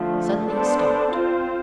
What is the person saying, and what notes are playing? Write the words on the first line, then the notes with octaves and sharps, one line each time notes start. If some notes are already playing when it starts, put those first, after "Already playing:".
Suddenly he stopped.
Already playing: D3 F3 A3
B3 D4 A4 C5
C4 F4 C5